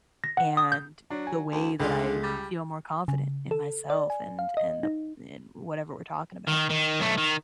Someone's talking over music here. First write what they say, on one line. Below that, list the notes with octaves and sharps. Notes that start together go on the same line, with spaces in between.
and the way that I feel more confident in myself and and the in whatever we're talking about,
A#6
F#5
D#6
G6
F#3 D4
G#5
D2
C#2 D3 G#3 A3 F4
G3
C#3
A4
D5
G#5
F5
D#5
D#4
D#3
D#3
B1 A3
D#3